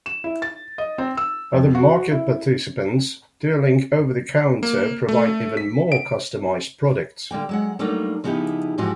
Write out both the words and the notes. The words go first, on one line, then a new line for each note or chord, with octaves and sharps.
Other market participants dealing over the counter provide even more customized products.
E7
E4
A6
D#5
C4
E6
F2
F#4
E4
A#3
A3
B6
D7
D3 G3 A#3 G5
F#3 G#3 F#5
F#3 G3 A3 A#3 D4 D#4
C#3 F3 B3 D#4 E4 G4
G#2 E3 F3 F#4 G4